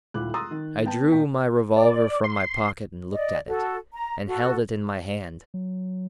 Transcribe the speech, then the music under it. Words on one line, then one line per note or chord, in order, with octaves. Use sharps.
I drew my revolver from my pocket and looked at it, and held it in my hand.
D#1 D2 E4 F4 D6 F#6
A#5 C6 D#6 E6 A6
D#3
B3 G5 A5
A#2 G5 B6
D5
C6
D5 D#5
F#4 A4
A#5
F#4 A4
F#3